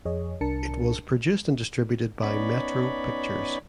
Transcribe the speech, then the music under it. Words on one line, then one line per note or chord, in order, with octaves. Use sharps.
It was produced and distributed by Metro Pictures.
F2 G#4 C#5 D#5
C2 D4 A#4 A5 C#7
B3 C#4 D#4 C#5 D5 B5